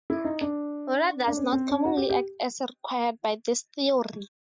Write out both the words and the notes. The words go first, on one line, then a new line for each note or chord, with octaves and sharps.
Water does not commonly act as required by this theory.
E4
D#4
D4
D4
C#4
C4
C#4
F#4
G4
G4